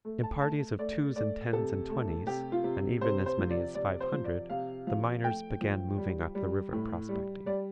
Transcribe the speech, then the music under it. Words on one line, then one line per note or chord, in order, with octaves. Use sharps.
In parties of twos and tens and twenties, and even as many as five hundred, the miners began moving up the river prospecting.
A3
A5
A3 A5
A3 D5
A3 D5
C3 A4
A3
C3 G4
F4
C3
C3 C5
C5
F3
D5
C3 D5
C5
F3
D5
C3 F5
F3 F5
A3 G5
F3
G3
G3
A2
G3
G3 D5